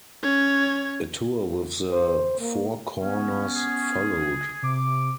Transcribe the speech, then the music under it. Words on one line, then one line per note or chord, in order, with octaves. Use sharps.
A tour with The Four Corners followed.
C#4 C#5
C5
A#3
B3 C#4
G#4
C3 D6